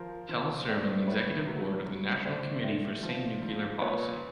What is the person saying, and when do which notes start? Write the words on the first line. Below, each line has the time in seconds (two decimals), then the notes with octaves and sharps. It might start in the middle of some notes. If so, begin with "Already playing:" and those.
Pell served on the executive board of the National Committee for Sane Nuclear Policy.
Already playing: F3 A#4 C5
0.29 F3
0.68 A2 C5 D5
1.07 A2 B4 C#5
1.47 F#3
1.86 F#3
2.25 A2 C5 D5
2.64 A2
3.03 F3
3.42 F3
3.81 A#2 B4 C#5